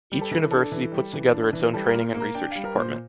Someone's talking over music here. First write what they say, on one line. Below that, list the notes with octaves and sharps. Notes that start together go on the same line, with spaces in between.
Each university puts together its own training and research department.
G3
A4
E3
D4 A4
E3
G3
E3
D4
E3
G3 A4
A#4
A#2
A#3
A#5
D4 G5
G3 F5
A#4
A#2 C5